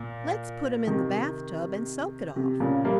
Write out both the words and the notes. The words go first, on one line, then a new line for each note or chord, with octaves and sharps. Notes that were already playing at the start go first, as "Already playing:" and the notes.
"Let's put him in the bath tub and soak it off."
Already playing: A#2
C3 D#3
C3
A#2 C#3
G3 A#3